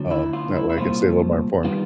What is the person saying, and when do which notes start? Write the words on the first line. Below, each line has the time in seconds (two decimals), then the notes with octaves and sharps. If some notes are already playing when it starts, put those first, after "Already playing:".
Um, that way, I could stay a little more informed.
Already playing: D2 D3 F#3
0.11 E4
0.33 F4
0.55 E4
0.70 E4
0.77 C2 A#2 F3 A3 F4
1.65 D#3 G3 B3 F4